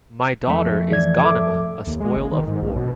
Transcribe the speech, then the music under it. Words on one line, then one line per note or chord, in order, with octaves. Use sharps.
My daughter is Ghanima, a spoil of war.
F2 A3
E3 D5 G#6
A4 E5 D6
D#2
G#3
G#1
D#3
G#2
A#1
B2